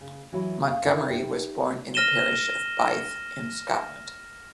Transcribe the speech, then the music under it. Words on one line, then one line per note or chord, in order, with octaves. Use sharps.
Montgomerie was born in the parish of Beith in Scotland.
C#3
E3 F#3 E4 F#4
F5
D3 E4 A#4
D#4 G4
F6 A#6 D#7 E7 G7